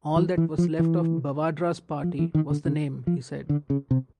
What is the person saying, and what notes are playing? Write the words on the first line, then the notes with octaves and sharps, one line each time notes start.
All that was left of Bavadra's party was the name, he said.
E3
E3
F3
E3
F3
E3
D#3
D3
C#3
F3
D3
C#3
C3